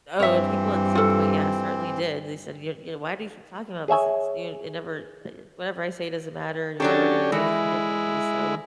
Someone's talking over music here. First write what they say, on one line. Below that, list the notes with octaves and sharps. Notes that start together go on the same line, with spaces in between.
Oh, people at some point, yeah, certainly did. They said, you're yeah, “Why do you keep talking about this? It's you it never I whatever I say doesn't matter, you're never gonna do anything differently, so,
G2 E3 C4 C#5 E5
F4 A4
G#4 C#5 E5 G#5
F#3 C#4 D4 G4 A4
E3 G#3 E4